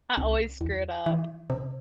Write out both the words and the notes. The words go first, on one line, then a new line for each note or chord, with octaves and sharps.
I always screw it up.
C2
E2
E3
C3